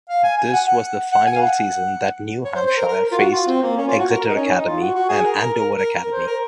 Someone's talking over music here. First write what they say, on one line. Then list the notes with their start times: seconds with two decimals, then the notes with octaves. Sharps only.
This was the final season that New Hampshire faced Exeter Academy and Andover Academy.
0.09 F5
0.24 G#5
0.37 G#5
0.53 F#5
0.67 F#5
1.12 F#5
1.26 G#5
1.35 F5
1.41 F#5
2.44 C#5
2.55 C5
2.66 C5
2.77 A#4
2.88 A#4
3.12 F4
3.18 F#4
3.32 F4
3.47 C4
3.62 A#3
3.77 C#4
3.88 F4
3.99 F#4
4.10 A#4
4.21 A#4
4.28 D#4
4.35 C#4
4.51 D#4
4.66 F4
4.80 F#4
4.94 F#4
5.09 G#4
5.24 A#4
5.39 A#4
5.53 A#4
5.75 A#4
5.97 A#4
6.12 C5
6.27 A#4